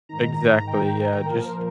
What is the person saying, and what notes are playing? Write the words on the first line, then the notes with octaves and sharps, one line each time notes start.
Exactly, yeah, just
G#2 D#3 A#5
A#5
G#2 D#3 G5
A#2 F3 A#4
C5